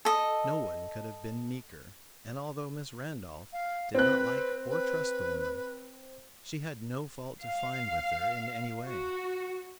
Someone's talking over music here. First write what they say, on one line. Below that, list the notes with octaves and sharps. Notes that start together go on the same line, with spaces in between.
No one could have been meeker, and although Miss Randolph did not like or trust the woman, she had no fault to find with her in any way.
A4 D#5
F5
C4 B4 F#6
B4
F5
F#4